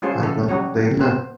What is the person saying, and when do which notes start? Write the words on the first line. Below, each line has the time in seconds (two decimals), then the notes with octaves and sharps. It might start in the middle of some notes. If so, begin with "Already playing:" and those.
I don't blame them.
0.02 G3 A3 C#4 F4 G#4 C5
0.19 C#3 E3 A3 B3 A4
0.48 F#3 G3 C#4 F#4 C#5
0.99 B3 C5